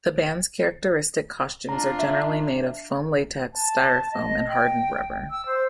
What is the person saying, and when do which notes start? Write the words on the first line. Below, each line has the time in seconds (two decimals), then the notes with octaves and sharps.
The band's characteristic costumes are generally made of foam latex, styrofoam, and hardened rubber.
1.69 D4 F4 A#5
1.99 E5
3.54 A5
4.12 D#5
4.49 G5
5.31 E6
5.46 C5